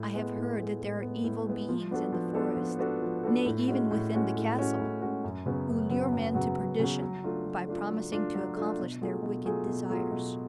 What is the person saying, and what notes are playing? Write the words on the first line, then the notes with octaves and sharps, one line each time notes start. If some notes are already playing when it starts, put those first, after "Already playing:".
I have heard that there are evil beings in the forest--nay, even within the castle--who lure men to perdition by promising to accomplish their wicked desires.
Already playing: A2
G#3 B3
A2
G#3 B3
A2
G#3 B3
A2
G#3 B3
F3
B3 D4 F#4 A4
F3
B3 D4 F#4 A4
F3
B3 D4 F#4 A4
F3
B3 D4 F#4 A4
A2
G#3 C#4 F#4
A2
G#3 C#4 F#4
A2
G#3 C#4 F#4
A2
G#3 C#4 F#4
F#2
C#3 F#3 B3 F#4
F#2
C#3 F#3 B3 F#4
F#2
C#3 F#3 B3 F#4
F#2
C#3 F#3 B3 F#4
F#3
A3 D4 F4
F#3
A3 D4 F4
F#3
A3 D4 F4
F#3
A3 D4 F4
B2
F#3 A3 F4 G#4
B2
F#3 A3 F4 G#4
B2
F#3 A3 F4 G#4
B2